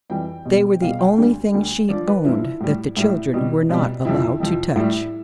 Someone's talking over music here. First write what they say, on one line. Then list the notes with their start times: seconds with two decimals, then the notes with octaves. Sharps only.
They were the only things she owned that the children were not allowed to touch.
0.09 F2 E3 G3 G5
0.45 E2 B2 G3
0.82 E2 B2 G3 F5
0.99 G5
1.18 D2 D3 G3
1.54 D2 D3 G3
1.89 G2 F3 D5
2.08 B4
2.25 G2 F3 E4
2.61 A2 G3
2.97 A2 G3 E4
3.33 C2 B2 G3
3.69 C2 B2 G3
4.05 F2 C3 F3 E4
4.40 F2 C3 F3
4.76 A2 G3 E4